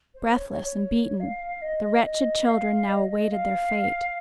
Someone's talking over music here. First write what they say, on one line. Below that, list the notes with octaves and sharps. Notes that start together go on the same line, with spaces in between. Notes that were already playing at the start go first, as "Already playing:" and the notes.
Breathless and beaten, the wretched children now awaited their fate.
C5
C#5
C#5
C#5
F5
D#5
D#5
F5
D#5
D#5
F5